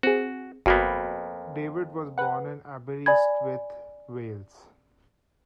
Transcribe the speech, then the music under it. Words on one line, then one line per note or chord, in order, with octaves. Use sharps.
David was born in Aberystwyth, Wales.
C4 F#4 G#4
G1 F2 A#3 B3 F#4 B5
B4 F#5
D5 G#5 B5 G#6